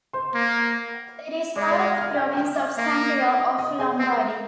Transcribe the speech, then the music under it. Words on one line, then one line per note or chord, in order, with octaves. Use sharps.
It is part of the province of Sondrio of Lombardy.
C5 C6
A#3
G#3 D5 D6
D5 D6
F5 F6
F5 F6
G5 G6
G5 G6
F5 F6
A#3 F5 F6
D#5 D#6
D#5 D#6
G#4 G#5
C4 C5
A#4